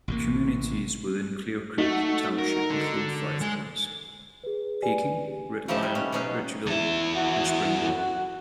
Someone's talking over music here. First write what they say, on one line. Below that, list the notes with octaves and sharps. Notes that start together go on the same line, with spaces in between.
Communities within Clearcreek Township include Five Points, Pekin, Red Lion, Ridgeville, and Springboro.
A1 C3 A#3
A3 D#4 F#4
A#4
D3
G#3
G#4 B4
G4 B4 D5 G#5
C#3 F3 A3 D#4 G4 A5
G3
B2 C#4
B2 F#3 C#4 D#4 G#4
E2 E4
F#4